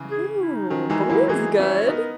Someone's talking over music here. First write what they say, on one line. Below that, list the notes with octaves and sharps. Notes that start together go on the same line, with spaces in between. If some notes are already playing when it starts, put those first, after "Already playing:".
Oh, bowling's good,
Already playing: C#3 E3
G#4
E4
D#4
D#3 F#3 C#4
E3 G#3 D#4
F#4
F#3 A#3 E4
E3 G#3 G#4
C#4 E4 B4
C#5
B3 D#4 A#4